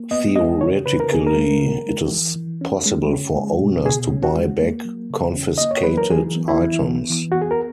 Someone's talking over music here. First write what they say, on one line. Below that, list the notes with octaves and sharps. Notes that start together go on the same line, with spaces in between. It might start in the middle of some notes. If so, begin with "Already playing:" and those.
Theoretically, it is possible for owners to buy back confiscated items.
Already playing: A#3
B3 D#5
G#3 D#5
C#3 C#5
C#3 B4
A#4
B3 G#4
A#4
G#3
C#4
G#3
E3
E3
C#4
G#3
C#4
G#3
B2
B2 G#4
C#4
F#4
G#3
A#3
F#3
C#3
C#4
A#3 D#5
C#5
F#3 B4
A#4
E3 G#4
B3
E4
E3
B3
E3
B3 F#4
G#4
A#4